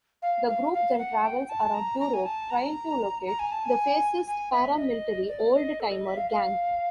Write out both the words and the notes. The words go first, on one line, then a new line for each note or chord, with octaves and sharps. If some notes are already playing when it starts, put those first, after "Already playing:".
The group then travels around Europe trying to locate the fascist paramilitary old-timer gang.
F5
F5
F5
F#5
G5
A5
A#5
A#5
G#5
A5
A#5
A#5
G#5
A5
G#5
G#5
E5
D#5
D5
D#5
A4
D#5
E5
F5
F5